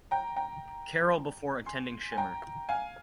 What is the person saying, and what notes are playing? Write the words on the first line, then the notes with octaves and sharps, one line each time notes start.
Carroll before attending Shimer.
G5 A#5
G5 A#5
G#5 C6
G#5
G5 A#5
F5 G#5